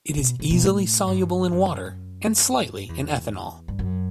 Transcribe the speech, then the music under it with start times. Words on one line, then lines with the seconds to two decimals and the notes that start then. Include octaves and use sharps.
It is easily soluble in water and slightly in ethanol.
0.17 B2
0.40 C3
0.50 B2
0.63 A2
1.07 G2
1.52 F#2
2.89 E2
3.68 G2
3.79 F#2